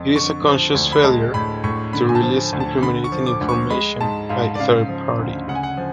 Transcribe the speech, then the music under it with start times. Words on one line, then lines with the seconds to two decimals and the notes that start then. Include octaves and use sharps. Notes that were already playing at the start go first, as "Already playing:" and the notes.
It is the conscious failure to release incriminating information by a third party.
Already playing: F2
0.16 D3 C#6
0.46 F3
0.75 D2
0.93 B5
1.04 G#3 A5
1.34 A2 B5
1.64 A2 C#6
1.93 D3 B5
2.09 G#5
2.15 A5
2.23 F3
2.53 D2
2.60 A5
2.82 D3 B5
3.04 C#6
3.12 F3
3.26 D6
3.41 D2
3.49 C#6
3.70 G#3 B5
4.01 G#2 A5
4.29 G#2 F5
4.55 D5
4.59 C#3 F5
4.89 F3
5.19 D2
5.48 C#3 F#5
5.55 G#5
5.63 F#5
5.77 F3